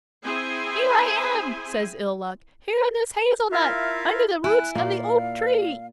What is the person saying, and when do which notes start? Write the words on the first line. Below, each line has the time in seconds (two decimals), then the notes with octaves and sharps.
"Here I am," says Ill-Luck--"here in this hazel-nut, under the roots of the oak-tree."
0.23 C4 E4 G#4 C5 G#5
3.52 E4 F4 A#4 E5 F5
4.44 E4 G#5 F#6
4.75 A#2 A#3 A#4 D5 F5